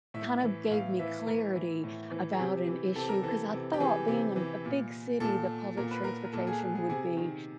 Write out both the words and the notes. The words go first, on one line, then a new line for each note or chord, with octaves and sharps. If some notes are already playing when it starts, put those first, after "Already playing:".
kind of gave me clarity about an issue, 'cause I thought being a m a big city, the public transportation would be
A2 E5
E3
A2 F5
E3 E5
A2 A#4
E3
A2
E3
G#4
C3 G4
E3
C3 A4
A#4
E3 A4
C3
G4
E3 G#4
C3
E3
A#2
A#2 A4
A#2 A#4
B4
A#4
A#4
A#2 A4
G#4
G#4
G#4
C3 G#4
D#3